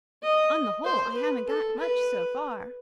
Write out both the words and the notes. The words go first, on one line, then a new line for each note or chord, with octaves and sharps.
"On the whole, I haven't got much so far."
D#5
C5
B4
A4
B4